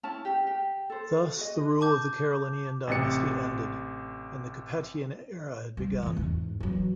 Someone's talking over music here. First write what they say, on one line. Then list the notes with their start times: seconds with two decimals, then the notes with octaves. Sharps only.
Thus the rule of the Carolingian dynasty ended and the Capetian era had begun.
0.03 C#4 E4 A5
0.25 G4
0.47 G4
0.90 A4 C5
1.37 F#4 G#4 D#5
1.81 A5 D6 G6
2.87 A1 C3 C#7
5.77 G3
6.02 E3 F4
6.16 E2 G#2
6.60 E3 F#3